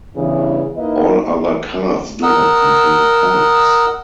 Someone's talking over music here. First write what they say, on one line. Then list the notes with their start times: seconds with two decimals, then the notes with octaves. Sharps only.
All other cards do not contain points.
0.16 E2 G2 C#3 E3
0.77 A#3 D#4 E4 B4 D#5
2.23 A#4 D#5 F#5 E6